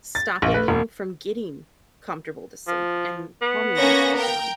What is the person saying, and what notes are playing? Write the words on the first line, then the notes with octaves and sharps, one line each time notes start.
stopping you from getting comfortable to sleep and calming yourself down.
A6
A#1
B4
E1
F3
B3
A#3 C#4 A#6
A#4 G5